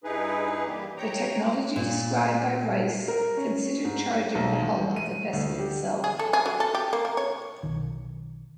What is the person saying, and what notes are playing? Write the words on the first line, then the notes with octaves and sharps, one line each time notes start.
The technology described by Rice considered charging the hull of the vessel itself.
G2 D#4 E4 G#4 B4
E3 G3 A#3 G4
C#5 G5 A#5
A#2
A#4
C#4
G#2
B1
A1
D#7
D2
G4
G#4
A4
G#4
F#3
A4
G4
A#3
A#4
C#5
B1 D#3